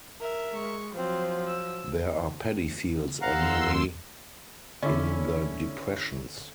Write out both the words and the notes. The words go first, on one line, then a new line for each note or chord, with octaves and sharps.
There are paddy fields only in the depressions.
A#4 E5
G#3 C#6
F3 F#3 C4
E6
D#2 F5 F#5 A#5 C6 E6
D3 C#4 E4